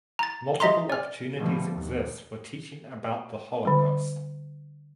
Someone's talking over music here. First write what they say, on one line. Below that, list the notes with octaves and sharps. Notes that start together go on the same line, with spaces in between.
Multiple opportunities exist for teaching about the Holocaust.
A#5 A6
D#5 E5 A#5 C6
D5 F6
G#2 B2 D3 F3 G3 A3
D#2
D3 G3